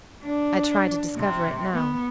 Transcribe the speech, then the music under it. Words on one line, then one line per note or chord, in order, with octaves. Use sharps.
I tried to discover it now.
D4
C3
B3